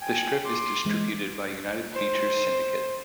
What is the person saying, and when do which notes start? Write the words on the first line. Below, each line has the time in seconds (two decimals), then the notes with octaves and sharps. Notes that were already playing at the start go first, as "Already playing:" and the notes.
The strip is distributed by United Features Syndicate.
0.01 G5 G#5
0.45 C6 D6
0.85 E3 G#3
1.92 C5